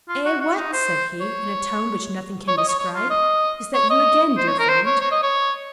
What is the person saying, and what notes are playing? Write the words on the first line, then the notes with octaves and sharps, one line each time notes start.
"Eh! what!" said he, in a tone which nothing can describe, "is that you again, dear friend?"
F4
F#4
F#4
D#4
C5
C#5
C#5
D#5
C#5
C#5
F4
D#5
C#5
D#5
C5
C#5
A#4
C5
C#5
C#5
D#5
C#5